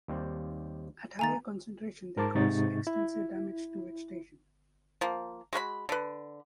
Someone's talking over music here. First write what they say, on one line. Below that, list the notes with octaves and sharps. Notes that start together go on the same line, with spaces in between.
At higher concentrations they cause extensive damage to vegetation.
D#2 G3 C4
D#3 A3 G#5 A#5 A6
G#2 A#4 C5 A5 D6
G#2 C3 D#4 C#6 A6
E4
F3 A#3
G#3 F#4 B4 B5
D3 B4